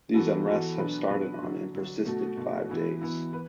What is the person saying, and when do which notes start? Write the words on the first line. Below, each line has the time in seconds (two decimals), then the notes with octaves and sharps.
These unrests have started on and persisted five days.
0.14 E3 B3 F#4 A4
0.46 E3 B3 F#4 A4
0.78 B2 F#3 D4 B4
1.10 B2 F#3 D4 B4
1.42 D3 F#3 D4
1.73 D3 F#3 D4
2.06 B2 A3 F#4
2.37 B2 A3 F#4
2.69 E3 B3 E4
3.01 E3 B3 E4
3.33 B4